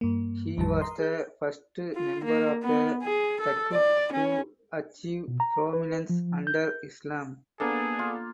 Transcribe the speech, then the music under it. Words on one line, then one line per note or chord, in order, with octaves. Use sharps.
He was the first member of the Thaqif to achieve prominence under Islam.
G2 A#3
A1 F2 A2 D#3 G3 A5
A#5 C6 D#6
G#4 G6
F4
A#3
B3
G#4
A4
D5
C#4
B2
A#5
B4
F3
G6
A#3 B3 D4 G#4 A4
F4